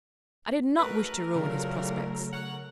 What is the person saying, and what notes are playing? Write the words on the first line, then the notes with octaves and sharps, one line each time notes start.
I did not wish to ruin his prospects.'
G#2 F#3 A3 A#4 B4
E2 A#2 C#3 F#3
C#5 F#5